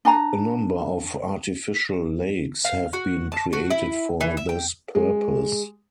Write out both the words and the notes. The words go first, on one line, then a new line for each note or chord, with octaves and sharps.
A number of artificial lakes have been created for this purpose.
D4 G#5 A#5
F5
F#4
A5
F#4
E4
E3
E5
G5
G#3